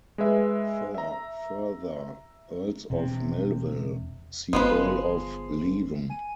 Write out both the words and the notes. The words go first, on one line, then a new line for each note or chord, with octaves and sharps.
For further Earls of Melville, see Earl of Leven.
G#3 G#4 B4 E5
E5 A#5
E1 C3
G1 F3 G#3 B3 B4 C7
G#5 D#7